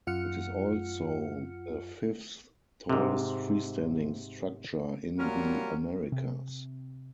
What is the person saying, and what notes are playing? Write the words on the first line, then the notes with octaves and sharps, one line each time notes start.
It is also the fifth-tallest freestanding structure in the Americas.
F#2 F4 F#5 F6 C#7
G#2 C3
F#3 G3 A#3 C#4 F4 A#4
C3